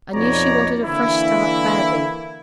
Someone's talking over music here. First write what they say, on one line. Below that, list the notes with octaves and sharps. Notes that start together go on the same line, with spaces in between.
I knew she wanted a fresh start badly.'
F2 B2 D#4 C#5 D5 A#5
D3 E3 A#3 E4